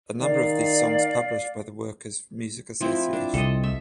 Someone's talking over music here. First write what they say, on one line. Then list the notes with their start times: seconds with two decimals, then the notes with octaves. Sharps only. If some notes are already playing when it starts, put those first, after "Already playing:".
A number of these songs published by the Workers Music Association.
0.20 D#3 D5 F5
2.81 F3 C4 E4
3.13 D4
3.34 C2 A4 D#5
3.64 E5